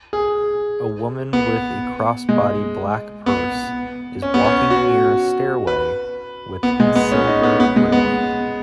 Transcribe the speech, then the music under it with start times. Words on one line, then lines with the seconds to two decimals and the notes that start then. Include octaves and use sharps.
A woman with a crossbody black purse is walking near a stairway with silver railing.
0.13 G#4
1.33 B3
2.29 G#3
3.26 B3
4.22 C#4
4.34 B3
4.45 C#4
4.70 F#4
5.67 B4
6.63 B3
6.80 G#3
6.95 B3
7.12 C#4
7.27 D#4
7.43 B3
7.60 B3
7.76 G#3
7.92 B3